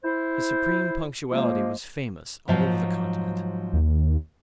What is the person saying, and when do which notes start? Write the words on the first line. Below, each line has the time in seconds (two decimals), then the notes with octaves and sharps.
His supreme punctuality was famous all over the continent.
0.04 E4 C5
1.32 F3 G#3 A#3
2.48 G#2 F3 F#3
3.73 D#2